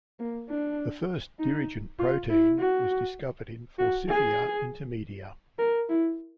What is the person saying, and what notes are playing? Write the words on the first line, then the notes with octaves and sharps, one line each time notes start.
The first dirigent protein was discovered in "Forsythia intermedia".
A#3
D4
D#4
F4
E4
F#4
F#4
G#4
A#4
E4